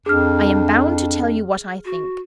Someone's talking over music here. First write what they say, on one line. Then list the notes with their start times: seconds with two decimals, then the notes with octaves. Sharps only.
I am bound to tell you what I think.
0.06 F2 D4 G#4 F6
1.85 F#4